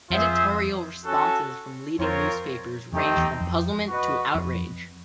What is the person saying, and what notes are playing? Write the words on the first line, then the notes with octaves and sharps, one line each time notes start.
Editorial responses from leading newspapers ranged from puzzlement to outrage.
F2 F4 G#4 C5 E5
C#4 F#4 A4
F2 C4 F4 A#4 C#5
F2 A3 C4 D#4 G4
E2
F2
F#4 B4 D#5
F2